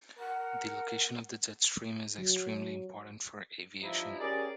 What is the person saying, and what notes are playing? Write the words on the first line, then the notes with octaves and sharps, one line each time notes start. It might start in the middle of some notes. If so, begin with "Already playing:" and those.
The location of the jet stream is extremely important for aviation.
A#4 F#5
F#3
G2 F3 D#4 E4
C#4 G4 G#4 A#4 D5